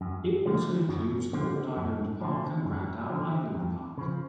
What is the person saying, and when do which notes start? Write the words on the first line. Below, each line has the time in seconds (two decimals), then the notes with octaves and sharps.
It also includes Ward Island Park and Randall Island Park.
0.01 F#2
0.45 D3 F3
0.89 F#2
1.33 D3 F3
1.77 F#2
2.21 D3 F3
2.65 F#2
3.10 D3 F3
3.54 F2
3.98 C#3 F3